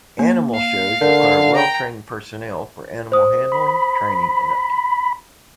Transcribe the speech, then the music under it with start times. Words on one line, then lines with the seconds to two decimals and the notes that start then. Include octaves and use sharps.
Animal shows require well-trained personnel for animal handling, training, and upkeep.
0.19 A#3
0.55 F5
1.01 D3 A#4
1.55 G5 A#5
3.12 C5 D#6
3.52 B5